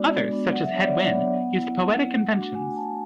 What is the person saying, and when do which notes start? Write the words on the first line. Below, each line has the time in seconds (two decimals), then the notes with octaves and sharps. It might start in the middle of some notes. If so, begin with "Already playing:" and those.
Others, such as Hedd Wyn, used poetic inventions.
Already playing: G#3 B3 D4 F#4 D5
0.12 G#3
0.32 B3 D4 F#4
0.52 F#3 F#5
0.63 E5
0.72 B3 D4 C#5
0.83 D5
0.93 F#3 F#5
1.13 B3 D4
1.34 B3
1.54 E4
1.74 B3
1.94 E4
2.15 A3
2.35 D4 F#4
2.55 A3 G#5
2.76 D4 F#4 A5